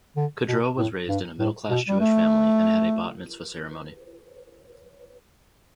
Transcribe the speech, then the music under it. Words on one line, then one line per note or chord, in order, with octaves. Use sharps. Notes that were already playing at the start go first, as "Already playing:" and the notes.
Kudrow was raised in a middle-class Jewish family and had a Bat Mitzvah ceremony.
D3
B2
A2
G2
A2
B2
G3
A3